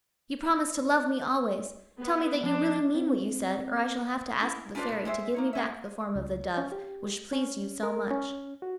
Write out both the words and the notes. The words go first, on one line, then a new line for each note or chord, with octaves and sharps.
"You promised to love me always; tell me that you really mean what you said, or I shall have to ask the Fairy to give me back the form of the dove which pleased you so much."
B3
F3 C#4 D4
C4
C#4 E4
C#4 D4 F4 B4 C5 D5
B2 D4
G#3 C5 D5 E5
A#3 D#4 C#5
G#3 C#4 E5
C#2
C#4
G4
C#4
A#4
C#4
F#4